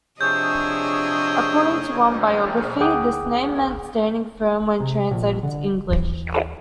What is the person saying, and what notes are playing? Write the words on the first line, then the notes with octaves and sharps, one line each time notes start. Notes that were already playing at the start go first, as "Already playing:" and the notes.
According to one biography, this name meant "standing firm" when translated to English.
C3 F3 D4 G#4 C#5 D#5 E6 G6
D2 G#4 F#5 G5 D6 D#6
C3
A#1
D3
D#2 E3